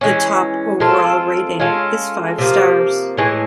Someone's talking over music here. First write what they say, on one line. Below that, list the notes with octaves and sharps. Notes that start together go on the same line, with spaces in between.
The top overall rating is five stars.
E3 G#3 C#4
G#3 C4 F4 A4
G#3 C#4 F4 A4
C3 F3 A#3
A2 E3 G#3